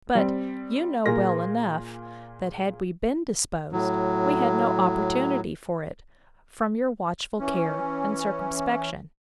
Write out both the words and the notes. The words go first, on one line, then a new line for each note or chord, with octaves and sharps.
But you know well enough, that had we been disposed, we had no opportunity for it, from your watchful care and circumspection.
G3 C4
A#2 G#4 A#4 A#6
A2 F#3
E3 C#4